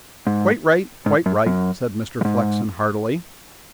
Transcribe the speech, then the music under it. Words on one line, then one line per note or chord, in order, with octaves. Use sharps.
"Quite right--quite right," said Mr. Flexen heartily.
G#2
G#2
F#2
F#2
F#2
G#2